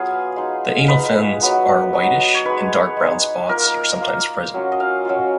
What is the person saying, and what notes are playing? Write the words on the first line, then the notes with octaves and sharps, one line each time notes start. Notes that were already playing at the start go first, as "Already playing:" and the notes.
The anal fins are whitish and dark brown spots are sometimes present.
Already playing: F#3 B3 F4 G#4
G#3 D#4
G#3 D#4 B4
F#3 B3 D#4
F#3 B3 D#4
C#5
G#3 D#4 B4
G#3 D#4
A#3 F4 A#4
A#3 F4
F#3 C#4 F4
D#5
F5
F#3 C#4 F4